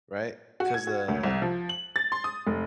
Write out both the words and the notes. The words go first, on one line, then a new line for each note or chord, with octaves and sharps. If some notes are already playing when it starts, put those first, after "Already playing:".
Right? 'Cause, uh,
F#4
G#6
F#4
D2
C2
F3
F#7
A6
C6
D#6
F1